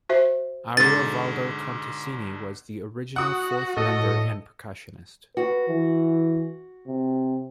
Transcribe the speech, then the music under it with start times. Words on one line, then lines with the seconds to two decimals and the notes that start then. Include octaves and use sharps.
Ariovaldo Contesini was the original fourth member and percussionist.
0.09 F#4 C5 E5
0.77 G#2 B2 D3 A6
3.16 F#4 F#5 D#6
3.77 A2 A4 D#5
5.37 F#4 B4
5.68 E3
6.87 C3